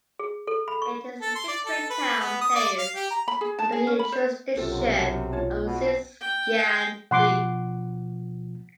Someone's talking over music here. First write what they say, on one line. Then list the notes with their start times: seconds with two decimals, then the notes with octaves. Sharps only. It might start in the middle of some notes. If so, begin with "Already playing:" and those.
It is a district town placed under he jurisdiction of the Xing’an league.
0.19 G#4
0.47 A4
0.68 B5
0.82 C#6
1.21 A4
1.35 C6
1.48 D5
1.66 A4
1.90 B4
2.20 B3
2.41 D#6
2.55 D5
2.79 F5
2.95 G4
3.11 A#5
3.28 B5
3.41 G#4
3.59 A5
3.72 G#4
3.87 C#4
3.99 B5
4.12 C5
4.57 B1 F#2 C3 F4 G4 A4
4.98 A5
5.32 F4 C#5 A5
5.65 B2
6.21 G5
7.11 B2 F3 F#5 C6 D6